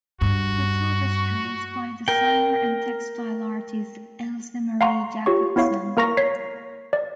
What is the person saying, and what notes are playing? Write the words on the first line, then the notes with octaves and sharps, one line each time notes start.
The tapestry is by designer and textile artist, Else Marie Jakobsen.
G2 F#4
A#4 G5
F5 F#5 A#5 C6 C#6
F4 G4 C#5 C#6
B3 E4 C#5 F5 C#6
A#3 A#4 A#5 C#6 A#6
C#5 B6 C7
D5